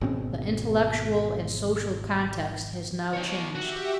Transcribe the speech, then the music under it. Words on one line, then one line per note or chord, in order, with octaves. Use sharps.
The intellectual and social context has now changed.
G#1 B2 C#4
D#4 C#5
F#4 G4 E5